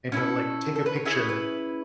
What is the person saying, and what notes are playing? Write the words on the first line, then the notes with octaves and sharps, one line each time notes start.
and he'll, like, take a picture,
C#4 E4 A4
A4
B4
C#5
C#4 E4 G#4 D#5
B4